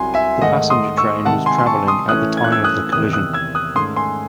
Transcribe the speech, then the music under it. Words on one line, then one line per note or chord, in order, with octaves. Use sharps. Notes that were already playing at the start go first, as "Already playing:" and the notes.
The passenger train was travelling at at the time of the collision.
Already playing: C2 C3 F#3 G#5 C6
E5 G#5
G#2 D#3 A3 D#5 F#5
C6 D#6
C#6 E6
C3 D#3 G#3 F#5 A5
G#5 C6
C6
A5 C#6
C6 D#6
A2 E3 A3 C#4 D#6 F#6
G#6
F#6
E6 G#6
D#6 F#6
E2 C3 D#3 D#6 F#6
D#6 F#6
E6 G#6
D#6 F#6
G#2 D#3 A3 C#4 C6 D#6
G#5 C6